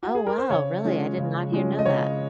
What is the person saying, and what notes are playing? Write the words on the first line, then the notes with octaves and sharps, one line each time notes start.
Oh, wow, really, I did not hear know that.
F#4
G#4
A#4
C5
C#3 C#5
F3 G#3 C#4
C#3
F3 G#3 C#4
D#5
C#3 C#5